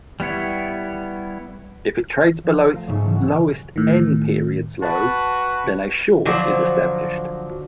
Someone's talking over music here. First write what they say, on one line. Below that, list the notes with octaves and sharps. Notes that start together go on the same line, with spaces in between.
If it trades below its lowest "n" periods low, then a short is established.
G3 B3 E4 C#5
F3
A#5
A3 F5
B1 G#2 C#3 E5 C#6 D#7
B2 E3 F#3 A3 C#4
C#4 F#6
A2 D#3
F#4 B4 A5
D3 F3 F#3